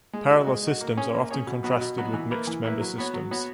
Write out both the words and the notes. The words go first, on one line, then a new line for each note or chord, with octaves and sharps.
Parallel systems are often contrasted with Mixed Member systems.
G#3
D#4 F#4
G#3
D#4 F#4
A#3
C#4 G#4 C#5
A#3
C#4 G#4 C#5
B2
F#3 B3 D#4 F#4
B2
F#3 B3 D#4 F#4
E3
A#3 E4 B4
E3
A#3 E4 B4
F#3
B3 F#4 C#5
F#3
B3 F#4 C#5